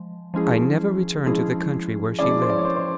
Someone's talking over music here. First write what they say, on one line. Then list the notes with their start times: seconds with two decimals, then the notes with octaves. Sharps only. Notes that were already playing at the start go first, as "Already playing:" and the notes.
"I never returned to the country where she lived."
Already playing: F3 G#3
0.34 F3 G#3 C#4 E4 G#4
1.26 F3 G#3 C#4 E4 G#4
2.19 F3 G#3 C#4 E4 G#4 D5
2.42 C5
2.50 D5
2.58 C#5
2.65 C5
2.76 C5